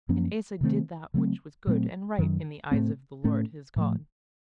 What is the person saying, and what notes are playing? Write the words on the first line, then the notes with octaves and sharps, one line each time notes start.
And Asa did that which was good and right in the eyes of the Lord his God.
F#2 F3 A#3 C#4
C3 D#3 A3 C4
C#3 F#3 A3 C4
A#2 F#3 A3 C4
F#2 D#3 F#3
A2 A3 C4
A2 A3 C#4
A2 F3 A3